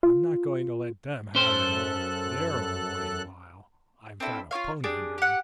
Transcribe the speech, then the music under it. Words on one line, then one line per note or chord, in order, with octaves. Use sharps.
I'm not going to let them have it all their own way while I've got a pony under me.
F4
F#2 C#4 A4 C5 F#6
C4 D4 E4 A4
F4 G4 C#5 F5
D4 G4 G#4
G4 F#5